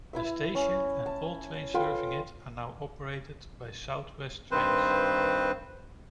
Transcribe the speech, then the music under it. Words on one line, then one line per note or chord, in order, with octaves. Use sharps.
The station and all trains serving it are now operated by South West Trains.
E4 B4 E5
C#4
A5
F4 A4 B4 G5
G2 D#3 C4 B4 C5